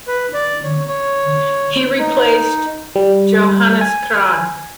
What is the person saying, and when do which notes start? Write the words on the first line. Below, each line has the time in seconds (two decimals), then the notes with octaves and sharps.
He replaced Johannes Kraan.
0.08 B4
0.34 D5
0.64 C#5
0.88 C#5
1.99 D#4
2.96 G3
3.81 G#5